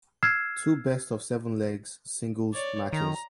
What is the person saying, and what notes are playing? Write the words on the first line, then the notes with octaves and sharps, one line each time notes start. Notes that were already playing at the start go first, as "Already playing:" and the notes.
Two best of seven legs singles matches.
E6 F6 G#6 C7 E7
C#5 D5
D#3 A#5